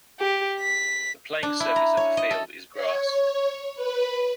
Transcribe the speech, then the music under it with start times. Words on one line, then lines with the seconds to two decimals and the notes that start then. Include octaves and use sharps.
The playing surface of the field is grass.
0.19 G4
0.60 B6
1.43 D4
1.60 E4
1.76 A#5
1.97 C#5
2.17 D#5
2.31 A4
2.72 C#5
3.75 B4